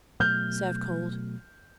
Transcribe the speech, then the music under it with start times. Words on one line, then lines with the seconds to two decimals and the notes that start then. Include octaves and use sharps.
Serve cold.
0.20 B2 F#3 A3 F6 G6